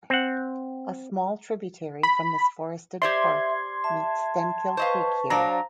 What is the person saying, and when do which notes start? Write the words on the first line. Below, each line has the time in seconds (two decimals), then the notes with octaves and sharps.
A small tributary from this forested park meets Stenkil Creek Here.
0.10 C4 F#5
2.03 B5
3.02 G4 C5 D5 E5 C6 G#6
3.84 E5 A5
4.77 B4 C5 D#5 F5 C#6
5.30 F#3 D4 C5 D5 F5 A#5